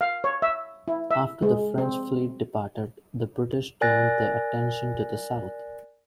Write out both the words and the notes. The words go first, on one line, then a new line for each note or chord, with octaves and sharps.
After the French fleet departed, the British turned their attention to the south.
F5
C#5
E5
E4
E5
G#3
C4
A#4 D5 G#5 F#6 A6 A#6